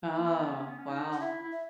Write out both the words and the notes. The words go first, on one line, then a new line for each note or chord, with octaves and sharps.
Oh, wow.
A#3
B3
C#4
B3
C#4
D#4
F#5
E4 E5
E4
E5